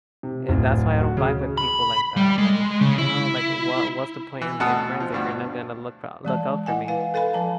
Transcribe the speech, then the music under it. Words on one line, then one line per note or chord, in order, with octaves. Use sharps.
and that's why I don't vibe with people like that. Like, you know, like, what what's the point in being friends if you're not gonna look f look out for me?
C3
D1
F#4
C#3
B5
G3
G#3
C#3
E4
E3
D2 B2 A4 F#5 D#6
F3
D2 G2 B2
E3 G#3 A5
E4 D#5 F#5 G#5
B4 F5
A4 B4 F5 G#5 B5
F3 A5 A#5